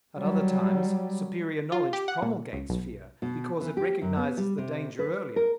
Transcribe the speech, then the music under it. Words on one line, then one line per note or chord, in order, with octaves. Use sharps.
At other times superior knowledge promulgates fear, because it recognizes the danger earlier.
F#3 G3
F4
G4
F#5
A#2
C#2
B1
B2
E3
G4
F#2
B3
G3
C3
B4
A#4